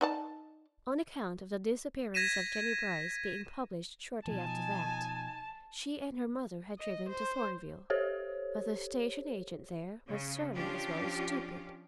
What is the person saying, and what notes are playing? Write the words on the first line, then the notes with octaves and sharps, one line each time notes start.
On account of the disappearance of Jennie Brice being published shortly after that, she and her mother had driven to Thornville, but the station agent there was surly as well as stupid.
D#4 D5 A5
G#6 A#6 B6 D#7 E7
B2 F3 D#4 G#5 A5
D#5
C5
G4 A4 C5 C#5
C#3
F3 C#4 D4 F4 G4